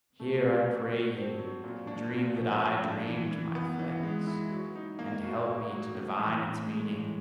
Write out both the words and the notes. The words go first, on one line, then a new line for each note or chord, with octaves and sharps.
Hear, I pray you, the dream that I dreamed, my friends, and help me to divine its meaning!
A3
C4
F#3
F#3
C4
F#3
A#2
D4
A#2
F3
F3
D4
E3
E3
B3
E3
G#3
E4
F#3
D#4
A#3
F#4
F#4
F#3
A2
E3
A2
G#3
E3